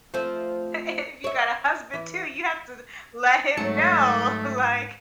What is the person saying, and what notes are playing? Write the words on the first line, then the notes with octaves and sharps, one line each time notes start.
if you got a husband too, you have to let him know," like.
F3 A3 C4
C#5 E5
E3
G#2 F#3 A3 A5 C#7